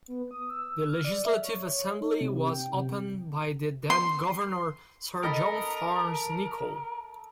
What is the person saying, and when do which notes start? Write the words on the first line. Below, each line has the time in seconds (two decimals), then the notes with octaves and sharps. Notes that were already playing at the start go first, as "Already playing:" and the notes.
The Legislative Assembly was opened by the then governor Sir John Fearns Nicoll.
0.08 B3
0.31 D#6
0.50 E6
0.69 E6
0.89 F6
1.04 D5
1.25 E5
1.44 C#5
2.01 D#4
2.21 C3
2.51 G5
2.73 C3
3.90 C6
5.23 A4 A#4 D#5 B5